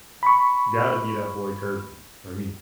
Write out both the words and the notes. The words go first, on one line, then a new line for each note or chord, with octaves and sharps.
gotta be that boy Kirby, for me.
B5 C#6